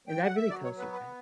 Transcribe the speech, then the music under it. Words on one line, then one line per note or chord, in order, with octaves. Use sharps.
and that really tells you that
G5
F#5
E5
F#3 D5
C#5
B3 B4
B4